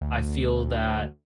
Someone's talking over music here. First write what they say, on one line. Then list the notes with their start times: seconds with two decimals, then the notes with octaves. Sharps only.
I feel that
0.01 D2